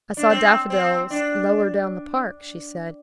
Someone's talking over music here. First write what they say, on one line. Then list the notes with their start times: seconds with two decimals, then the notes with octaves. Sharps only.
"I saw daffodils lower down the park," she said.
0.17 D4
0.30 C4
0.70 C4
1.10 D4